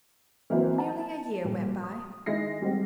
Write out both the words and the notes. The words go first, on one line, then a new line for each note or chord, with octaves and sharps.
Nearly a year went by.
E3 F#3 A#3 C4 E4 C5
A5
A#2 G3
D#6
D#3 G#3 E4 A#6 C7
G3 G#3 C4 G4